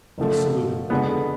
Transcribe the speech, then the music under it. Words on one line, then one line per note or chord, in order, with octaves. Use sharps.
He saluted.
F#1 F#2 F3 A3
F2 D3 G#3 B3